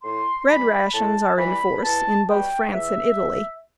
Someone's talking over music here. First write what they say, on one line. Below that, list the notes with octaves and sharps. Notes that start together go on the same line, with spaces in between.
Bread rations are in force in both France and Italy.
A2 C6
E3 G3 B5
A2 A5
E3 G3 B5
E2 A5
B2 G3 G5
E2 E5